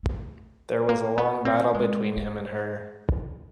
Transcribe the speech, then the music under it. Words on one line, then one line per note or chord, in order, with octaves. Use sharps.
There was a long battle between him and her.
A3
A#3
B3
C4
G#3
G#3